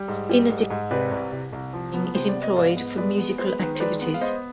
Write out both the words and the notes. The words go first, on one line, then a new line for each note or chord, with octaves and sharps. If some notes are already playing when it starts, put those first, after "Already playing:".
In addition, a separate wing is employed for musical activities.
Already playing: G3
G#2
G3
G#2
G#2
C3 B4 D5
C2
C2
C2
F3
B3
C3 C5
D5
B3
D#5
G#2 D5 F5
B3
G#3 B4 D5
B3
G#3 C5
B4
D#3 B4
C5
G#3 B4 D5
B3
F5
B3 C5 D#5